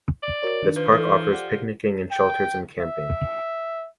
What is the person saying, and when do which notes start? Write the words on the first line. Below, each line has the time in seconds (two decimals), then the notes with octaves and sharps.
This park offers picnicking in shelters and camping.
0.23 D5
0.43 F#4 A#4 C#5
0.63 D#3 D4
0.76 F3 B4
0.92 E3 D#4 A4
1.33 G4 D5 F#5
2.11 G5
2.81 E5